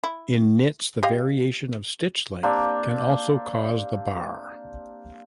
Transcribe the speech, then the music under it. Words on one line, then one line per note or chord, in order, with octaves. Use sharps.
In knits the variation of stitch length can also cause the barre.
E4
G4 D#5 F5
A#3 C4 D4 G4